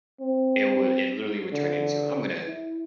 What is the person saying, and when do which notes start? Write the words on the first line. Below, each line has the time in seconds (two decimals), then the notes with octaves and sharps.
it would it, literally, would turn into "I'm gonna
0.21 C4
1.53 D3
2.47 E4